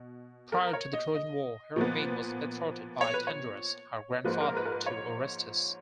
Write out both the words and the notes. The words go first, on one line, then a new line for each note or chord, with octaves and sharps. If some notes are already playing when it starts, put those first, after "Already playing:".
Prior to the Trojan War, Hermione was betrothed by Tyndareus, her grandfather, to Orestes.
Already playing: B2
A#4
C#5
D#5
D#5
A#2 F3 B3
C#5
B4
C#5
G#2 F3 A#3 B4
A#4
B4
A#4
B4
C#5